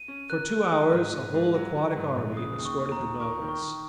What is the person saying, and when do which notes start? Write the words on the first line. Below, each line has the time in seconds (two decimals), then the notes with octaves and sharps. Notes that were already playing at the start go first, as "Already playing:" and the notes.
For two hours a whole aquatic army escorted the Nautilus.
Already playing: D#7
0.08 C#4
0.30 A#4 F#6
0.51 G#3
0.71 F#3
0.91 G#2
1.13 G#2
1.34 G#2
1.54 F#3
1.75 F#3
1.96 G#2
2.16 A#1
2.37 C#3 D#6
2.58 D#2
2.65 C#6
2.78 D#2
2.92 A#5
2.99 D#2
3.20 A#4 C#6
3.42 D#3
3.48 C#6
3.62 D#3